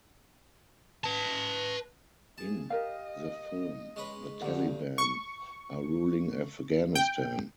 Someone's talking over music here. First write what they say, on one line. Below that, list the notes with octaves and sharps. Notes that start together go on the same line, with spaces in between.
In the film, the Taliban are ruling Afghanistan.
B4 A5
G#4 A5
G4 A#4 D#5 F5
G#3 C#4 B4
D2 G2 F#5
C#6
G5